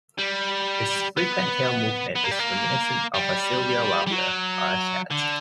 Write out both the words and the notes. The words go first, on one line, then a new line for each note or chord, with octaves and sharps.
Its frequent tail movement is reminiscent of a "Sylvia" warbler or a chat.
G3
B3
B3
A#3
G3
A#3
G3
G3
F#3
D3